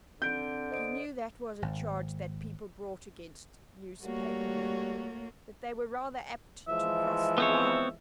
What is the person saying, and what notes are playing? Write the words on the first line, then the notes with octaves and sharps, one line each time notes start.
He knew that was a charge that people brought against newspaper-men--that they were rather apt to cross the line.
D3 C4 G6 D7
C5 D#5 D7
G#1
G3 A3 A#3 F#4 C#5
E3 F3 G#3 E5
B3 C4 C#5